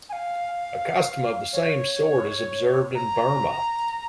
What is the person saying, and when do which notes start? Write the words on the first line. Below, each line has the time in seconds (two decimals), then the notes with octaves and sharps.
A custom of the same sort is observed in Burma.
0.09 G#5
0.13 F5
1.53 C#5
2.95 A#5